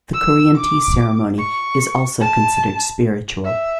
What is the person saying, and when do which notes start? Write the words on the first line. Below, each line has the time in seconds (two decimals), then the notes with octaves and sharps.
The Korean tea ceremony is also considered spiritual.
0.14 E6
0.56 D6
1.39 C#6
2.21 A5
3.45 E5